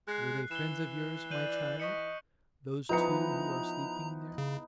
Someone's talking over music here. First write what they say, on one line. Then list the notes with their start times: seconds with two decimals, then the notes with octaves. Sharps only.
"Were they friends of yours, my child, those two who are sleeping there?"
0.08 G#3 F#6 C7
0.51 E3 E7 G7
1.31 D5 G6 D#7 F#7
1.80 D#5 C#6 B6 C#7
2.89 E3 F3 B3 D#4 B4 A#5 C#7
4.38 C#3